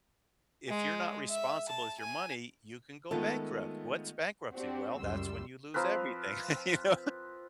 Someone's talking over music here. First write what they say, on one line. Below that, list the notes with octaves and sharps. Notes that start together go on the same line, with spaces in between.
if you're not responsible with your money, you can go bankrupt." "What's bankruptcy?" "Well, that's when you lose everything," you know.
G#3
E5
A5
G#5
D#3 G#3 A3 B3 F4 A4
C4 D4 F#4 G4
C#2 F#2 G3 C6 E6
F3 C4 A#4 B4